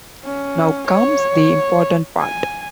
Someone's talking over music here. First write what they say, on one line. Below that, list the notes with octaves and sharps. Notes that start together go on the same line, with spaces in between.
Now comes the important part.
C#4
C#5
G#5